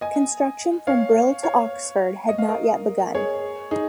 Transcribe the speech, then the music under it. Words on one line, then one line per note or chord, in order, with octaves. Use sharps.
Construction from Brill to Oxford had not yet begun.
D#5 G#5
C#5 F5
C#5 F5
D#5
F5
A#4 D#5
G#4 C#5
D#4 G#4